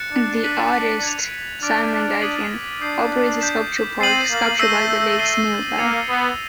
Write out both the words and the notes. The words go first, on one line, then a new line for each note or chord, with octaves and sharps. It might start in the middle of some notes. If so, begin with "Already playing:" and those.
The artist Simon Gudgeon operates a sculpture park, "Sculpture by the Lakes", nearby.
Already playing: F#6 A6 C#7 E7
D4
F#6 B6 D#7 F#7
G#6 C#7 F7
D4 D6 F6 A6 D7
D#6 G#6 B6 D#7 F#7
D4 D#6 G6 C7
G6 B6 E7
C4 A6 C7 D#7 F#7
A#3
A3 E6 G6 A#6 D#7 G7
A6 C7 D#7 G7
A#3 G#6 C#7 F7
B3